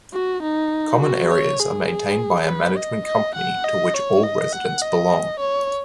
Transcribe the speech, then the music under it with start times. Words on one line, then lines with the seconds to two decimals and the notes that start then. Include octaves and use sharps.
Common areas are maintained by a management company to which all residents belong.
0.13 F#4
0.42 D#4
1.01 F#4
1.31 C#5
1.60 G#4
2.48 B4
2.77 D#5
3.05 D#5
3.35 F#5
3.64 D#5
3.94 C#5
4.23 D#5
4.52 F#5
4.81 D#5
5.39 C#5